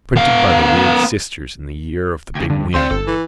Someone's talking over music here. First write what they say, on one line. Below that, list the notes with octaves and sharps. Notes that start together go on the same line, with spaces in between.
Printed by the weird sisters in the year of the big wind.
B3 F5
D2 C#3 G5 G#6
G2 D3
D2 C4 D5 F5 C6
G1 A4
E3